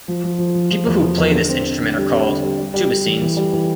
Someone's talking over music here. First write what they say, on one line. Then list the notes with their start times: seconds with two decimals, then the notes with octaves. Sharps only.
People who play this instrument are called "tubicines".
0.08 F3
0.24 F3
0.39 F3
0.55 F3
0.70 F3
0.86 E2
1.01 F3
1.18 E2
1.33 D3
1.49 C4
1.65 C4
1.80 D3
1.97 G3
2.12 C4
2.28 D3
2.43 G3
2.58 G3
2.74 G3
2.90 G3
3.06 E3
3.22 E3
3.37 G3
3.53 E3